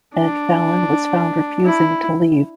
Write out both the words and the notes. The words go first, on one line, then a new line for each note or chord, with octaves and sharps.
Ed Fallon was found refusing to leave.
D4
E4